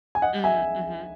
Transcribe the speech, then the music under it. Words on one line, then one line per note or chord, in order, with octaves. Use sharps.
Mm, mhm.
G#5
D#5 F#5
E5 G#5